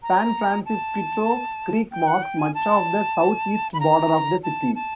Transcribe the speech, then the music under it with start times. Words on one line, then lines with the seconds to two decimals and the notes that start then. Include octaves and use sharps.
San Francisquito Creek marks much of the southeast border of the city.
0.03 A#5
0.66 A5
1.92 G5
2.07 F#5
2.23 G5
2.39 G#5
2.54 A5
3.73 B5
3.80 A#5
4.43 A5
4.75 A5